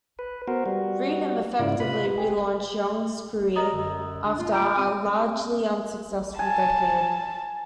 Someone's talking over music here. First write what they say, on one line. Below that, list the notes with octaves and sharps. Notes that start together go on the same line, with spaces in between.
"Freedom" effectively relaunched Young's career after a largely unsuccessful decade.
B4
B3 F#4 A#4 C5
G3 F#4
G#2 C#3 E4 F4 D5
C3 F4 B4 B5
G4 G#4
A#4 D#5 A#5 D#6
F#2 D3
D4
B2 A#3 F4
A#5 G6 D7
C4 D#7
G#5 A5